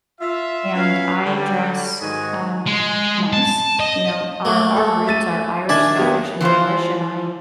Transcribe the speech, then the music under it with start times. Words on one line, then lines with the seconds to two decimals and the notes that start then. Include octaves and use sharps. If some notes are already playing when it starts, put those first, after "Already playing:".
and I dress, um, nice. You know, our our roots are Irish, Scottish, and English, and I
0.20 F4 E5
0.74 C#4 B4 F5
1.24 D3 G3
2.01 G#2 D#3 F#4 D#5 G#5
2.67 G#3
3.33 A5
3.80 D#5
4.45 A3 A#3
4.76 A4
5.07 E5 A6 D#7
5.69 D#3 D4 D5 E5 G#5
5.99 A#3 B3 G4
6.41 E3 F3 F4 C5